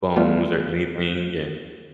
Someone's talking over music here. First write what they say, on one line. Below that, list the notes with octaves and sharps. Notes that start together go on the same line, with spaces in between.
bones or anything and
F3 G3 A3 B3 F4